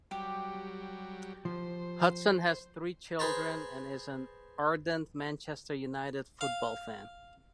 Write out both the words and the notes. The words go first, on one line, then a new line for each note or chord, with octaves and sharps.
Hudson has three children and is an "ardent Manchester United football fan".
F#3 G3 G4
F3 C5
G#4 B4 C5 A5 A#5
F5